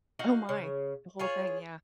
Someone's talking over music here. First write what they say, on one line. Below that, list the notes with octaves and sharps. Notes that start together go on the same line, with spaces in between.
Oh my. The whole thing, yeah.
D#4 F#4 F5
C#3
F4 G#4 C#5